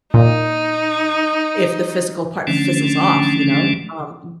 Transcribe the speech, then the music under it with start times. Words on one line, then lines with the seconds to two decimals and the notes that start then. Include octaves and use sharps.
if the physical part fizzles off, you know, um
0.14 A#2 D#4
2.47 D3 E3 F3 A3 C#4 D4